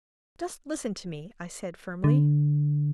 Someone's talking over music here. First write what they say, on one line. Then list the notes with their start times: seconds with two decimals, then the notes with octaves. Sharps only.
"Just listen to me," I said firmly.
2.04 D3